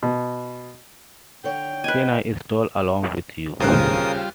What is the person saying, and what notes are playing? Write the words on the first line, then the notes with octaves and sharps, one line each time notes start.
Can I stroll along with you?
B2
D3 C#5 G5
B4 D#5 G#5
D#2 C#3 G3 F4 A#4 C5 D#6 F#6